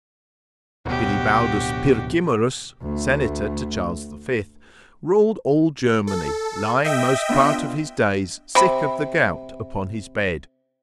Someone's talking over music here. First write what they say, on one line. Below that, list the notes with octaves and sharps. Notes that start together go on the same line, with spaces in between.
Bilibaldus Pirkimerus, senator to Charles the Fifth, ruled all Germany, lying most part of his days sick of the gout upon his bed.
D1 B2 F#4 G4
D2 A3
A4
D#5 E5 G5 G6
B3 D4 F4
C3 B5